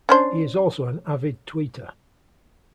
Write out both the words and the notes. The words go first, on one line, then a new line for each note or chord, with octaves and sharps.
He is also an avid tweeter.
C#4 D4 C5